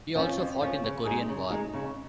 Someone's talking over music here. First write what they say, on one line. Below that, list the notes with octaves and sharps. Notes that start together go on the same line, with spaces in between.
He also fought in the Korean War.
F3 C#4
F2
F3 C#4
C#3
G#3 D#4 G#4
C#3
G#3 D#4 G#4
C#3